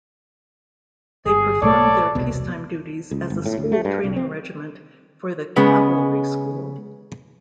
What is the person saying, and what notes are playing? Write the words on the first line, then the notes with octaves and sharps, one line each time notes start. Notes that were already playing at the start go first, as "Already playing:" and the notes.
They performed their peacetime duties as a school training regiment for the Cavalry School.
G1 G#4
B1 A2 A3 A4 C#5 D5
E1 C2 B2
C#2
G1
A2
D2
A3
G2
C2
C4
C#3 G#3 B3